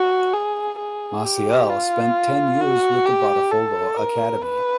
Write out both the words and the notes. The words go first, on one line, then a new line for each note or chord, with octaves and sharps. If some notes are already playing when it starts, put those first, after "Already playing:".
Maciel spent ten years with the Botafogo academy.
Already playing: F#4
G#4
G#4
G4
F4
F#4
G4
A4
A#4
B4